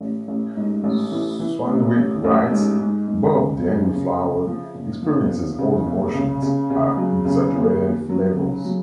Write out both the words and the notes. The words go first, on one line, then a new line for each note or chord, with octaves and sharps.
Swanwick writes, Bob the Angry Flower experiences all emotions at exaggerated levels.
A1
A1
G#2
A1
E3
E3
A1
A1
A1
G#2
G#2
G#2
C#3
F#2
C#3
C#3
F3
F#1
F3
F3
C#3
F#1
C#3
C#3
C#3
F#3
C#3
D#2
D#2
F#3
C#3
F#3